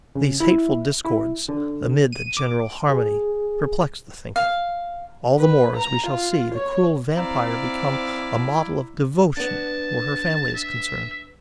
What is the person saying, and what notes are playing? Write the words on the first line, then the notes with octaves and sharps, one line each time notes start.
These hateful discords amid the general harmony perplex the thinker, all the more as we shall see the cruel vampire become a model of devotion where her family is concerned.
C#3
E4
E4
D3
D#7
D6
G#4
F5
B4
A#5
F4
C#5
C4 E4 D5 F5 A#5
B3 D4 A5
E5